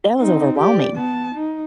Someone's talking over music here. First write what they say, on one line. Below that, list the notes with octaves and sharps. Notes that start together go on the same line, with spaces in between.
that was overwhelming.
C4 D#4
G4 D5
B3 A5
D#4